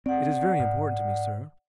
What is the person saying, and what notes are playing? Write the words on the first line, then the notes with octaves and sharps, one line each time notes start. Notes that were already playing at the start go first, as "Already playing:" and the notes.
"It is very important to me, sir."
C4 D5 F#5
G#2